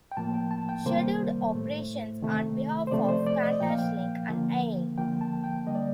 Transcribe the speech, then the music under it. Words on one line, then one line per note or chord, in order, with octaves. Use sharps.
Scheduled operations on behalf of QantasLink and AaE.
G5
A2 F3 A#3 A5
G5
A5
G5
C3 D#3 G3 A#3 C5
A2 A3
C3 D#3 A3
C5
C3 F3 A3 D5
C5
D5
D#5
A#2 F3 A#3 G5
F5
G5
D3 F3 A#3
D3 F3 A#3 G5
A5
G5
D3 G3 A#3 D#5
D5